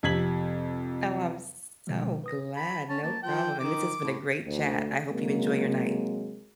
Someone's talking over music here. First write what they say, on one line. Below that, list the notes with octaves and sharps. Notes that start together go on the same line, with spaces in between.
Oh, I'm so glad, no problem. And this has been a great chat, I hope you enjoy your night.
F2 C3 G#6 B6 F#7
B2 D3 E3 F3 G3 G#3
B4 D#6 A#6
B5
C#4 A5
A#3 A5
F3 G5
D#3 D6
A2
D2
C3 F#3 G#3 A#3